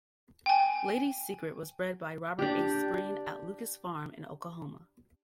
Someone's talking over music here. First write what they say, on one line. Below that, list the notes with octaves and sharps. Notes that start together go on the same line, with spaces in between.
Lady's Secret was bred by Robert H. Spreen at Lucas Farm in Oklahoma.
G5 G#5
D4 G4